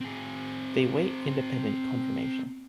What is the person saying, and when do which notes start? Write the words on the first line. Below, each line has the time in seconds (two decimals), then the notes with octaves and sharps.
They await independent confirmation.
0.01 C4 G#4